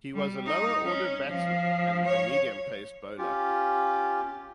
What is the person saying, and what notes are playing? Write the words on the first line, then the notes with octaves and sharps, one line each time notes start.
He was a lower order batsman and a medium pace bowler.
G3
D#4
C#4
F3
C#5
C#4 F4 G4